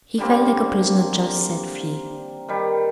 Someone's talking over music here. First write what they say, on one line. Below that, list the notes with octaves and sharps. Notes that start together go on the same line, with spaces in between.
He felt like a prisoner just set free.
D3 G3 A#3 C4
D#3 G3